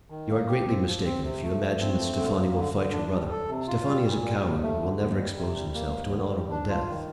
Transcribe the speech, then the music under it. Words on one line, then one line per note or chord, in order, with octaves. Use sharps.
"You are greatly mistaken if you imagine that Steffani will fight your brother; Steffani is a coward who will never expose himself to an honourable death."
D#3
A#3
G4
C4
F3
C4
C3
A3
F3
C4
A3
D3
A#3
D3
D3
D4
G3
A4
C3
F4
G3
A#2
G3
D#2
A3
D3
D#2
G3
C3
G3
A#3
D#2
D3
G3
D4
F4
D#3